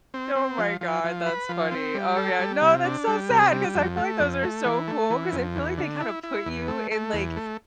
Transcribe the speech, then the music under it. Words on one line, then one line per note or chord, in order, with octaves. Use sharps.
Oh my god, that's funny. Oh, yeah, no, that's so sad 'cause I feel like those are so cool 'cause I feel like they kinda put you in, like,
C4
C4
F3
F3
F3
B4
F3
C4
G3
A4
G3
C3
D4
G3
C3
G3
F2
A3
F2
A3
E3
A3
E3
F2
E2
D3
E4
E4
E2
A3
A3
E2
A3